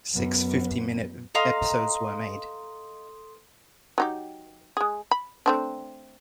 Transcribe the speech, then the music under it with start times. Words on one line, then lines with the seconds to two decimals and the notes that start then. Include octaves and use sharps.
Six fifty-minute episodes were made.
0.14 F#2 B3
1.35 A4 D#5 F5 A#5 C6 D#6
3.98 F#3 D#4 G4
4.77 G#3 G#4
5.11 B5
5.46 A3 C4 D4